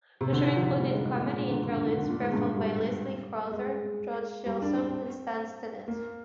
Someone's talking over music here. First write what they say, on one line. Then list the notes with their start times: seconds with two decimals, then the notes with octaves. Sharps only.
The show included "comedy interludes" performed by Leslie Crowther, George Chisholm and Stan Stennett.
0.21 C3
0.33 D3
0.45 D#3
0.56 F3
0.68 F3
0.80 G3
0.92 G#3
1.03 G#3
1.15 A#2
1.27 G#2
1.39 A#2
1.51 D3
1.63 D3
1.74 D3
1.87 D#3
1.98 D3
2.10 A#2
2.22 G#2
2.34 G2
2.45 G#2
2.57 G3
3.51 G#3
4.46 G3
4.62 D4
4.78 C4
5.88 A#3